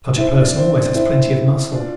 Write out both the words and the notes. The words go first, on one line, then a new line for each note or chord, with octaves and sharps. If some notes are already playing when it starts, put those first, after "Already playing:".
Such a person always has plenty of muscle.
C4 E4
D4
C4
D4
C4 E4
D4 F4